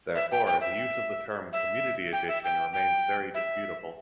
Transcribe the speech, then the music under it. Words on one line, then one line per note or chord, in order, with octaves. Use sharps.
Therefore, the use of the term "community edition" remains very disputable.
E5
G5
G5
E5
E5
G5
E5
G5
G5
E5